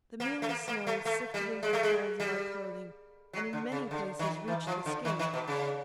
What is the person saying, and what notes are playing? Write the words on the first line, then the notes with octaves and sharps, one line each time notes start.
The mealy snow sifted into the folds of our clothing and in many places reached the skin.
A#3
A3
A#3
A#3
A3
A3
G3
G#3
A3
G#3
G3
F#3
D3
C#3
D3
D#3
E3
F3
D3
D#3
D#3
B2
C#3